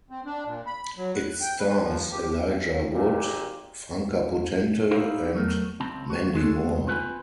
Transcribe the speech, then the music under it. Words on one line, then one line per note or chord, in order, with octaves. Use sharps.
It stars Elijah Wood, Franka Potente and Mandy Moore.
C4
D4
A#2
B5
F#3
F#6
G5
B4
F3
G4
G#1 A#2 G4
D#4 E4 G4 F5
F#3 A3 A#4
C#2 C4 A5 B5
F#4
D#3 G#3 F#4 A4
C4 F4 B4 C#5 G#5 B5